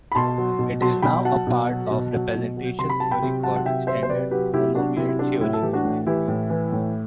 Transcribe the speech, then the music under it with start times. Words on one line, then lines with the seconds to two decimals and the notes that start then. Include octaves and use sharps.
It is now a part of representation theory called "standard monomial theory".
0.12 B5
0.15 B2 A5 C6
0.38 F#3
0.59 B2
0.81 F#3 A5 C6
1.02 B2 G5 B5
1.25 F#3 F#5 A5
1.47 B2
1.69 F#3
1.91 B2
2.13 F#3
2.35 B2
2.57 F#3
2.79 C3 C6
2.90 B5
3.00 F#3 A5
3.11 G5 B5
3.22 C3
3.43 F#3 F#5 A5
3.56 F#5
3.65 C3 E5 G5
3.87 F#3 C5 E5
4.03 C5
4.09 C3 B4 D5
4.31 F#3 G4 B4
4.54 C3 E4 G4
4.75 F#3 D4 F#4
4.96 C3 E4
5.08 E4
5.19 F#3 D4
5.41 A2 E4
5.53 A4
5.62 E3 G4
5.73 D4 F#4
5.84 A2
6.07 E3 E4 G4
6.28 A2
6.50 E3
6.72 A2